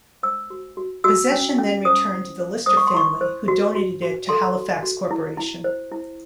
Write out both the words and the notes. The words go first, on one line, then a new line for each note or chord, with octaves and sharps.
Possession then returned to the Lister family, who donated it to Halifax Corporation.
C5 E6
F#4
F#4
F#4 E6
C#4
C#4
C5 D#6
E4
C5
C5 D#6
C#6
C6
E4 C#6
C5
F#4
F#4
F#4
A4 C6
F#4
F#4
E4
E4
C5
E4